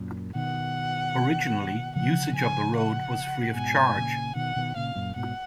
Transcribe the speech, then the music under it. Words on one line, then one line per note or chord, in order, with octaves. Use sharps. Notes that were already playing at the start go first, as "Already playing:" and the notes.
Originally usage of the road was free of charge.
Already playing: F#2 A#2
B2 D#3 F#5
C#3 F3 F#5
G#5
F#5
G#2 B2 G#5
A#2 C#3
B2 D#3 F#5
B2 D#3
A#2 C#3 F5
F#2 A#2
G#2 B2 F#5